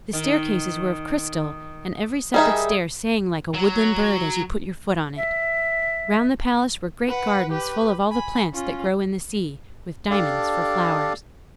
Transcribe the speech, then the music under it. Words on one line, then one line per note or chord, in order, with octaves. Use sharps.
The staircases were of crystal, and every separate stair sang like a woodland bird as you put your foot on it. Round the palace were great gardens full of all the plants that grow in the sea, with diamonds for flowers.
D#3
G3 D#4 G#4 A#4 E5
F#3
E5
B4 F#5
G4 B4
G#5 B5
C#4 F4
D4 G4 A4 D5 F5